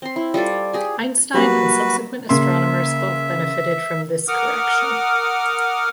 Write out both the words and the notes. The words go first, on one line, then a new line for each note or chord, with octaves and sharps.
Einstein and subsequent astronomers both benefitted from this correction.
C4 C6
E4
G3 F4 A4 D5
G4 G#4 G#5
F#3 G3 A#3 F#4 B4
C#3 A#3 E5 C6
A#4 F#5 D6 D#6 F6